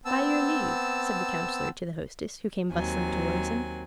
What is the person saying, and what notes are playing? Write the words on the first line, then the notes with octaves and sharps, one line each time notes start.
"By your leave!" said the Councillor to the Hostess, who came bustling towards him.
B3 C4 A5 E6
D#2 F#3 C4 G#5